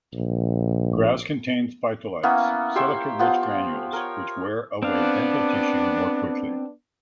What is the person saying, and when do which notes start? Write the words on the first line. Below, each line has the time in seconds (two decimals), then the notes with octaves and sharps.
Grass contains phytoliths, silica-rich granules, which wear away dental tissue more quickly.
0.14 A#1
2.23 A#3 B3 C#4 E4
2.76 G4 C5 C#5 E5
3.19 F3 B3
3.93 A#4 C#5
4.83 B3 C4 D4 F5